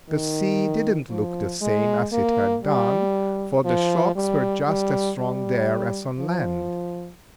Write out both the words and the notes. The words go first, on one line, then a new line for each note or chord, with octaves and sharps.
The sea did not look the same as it had done, for the shocks were just as strong there as on land.
D#3
F3
G#3
A#3
G3
F3
G3
G3
G3
F3